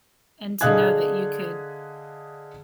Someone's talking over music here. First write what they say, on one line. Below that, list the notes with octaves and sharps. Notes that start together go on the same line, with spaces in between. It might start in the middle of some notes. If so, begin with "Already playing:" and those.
and to know that you could
D3 G#4 D#5 F5 F#6 G#6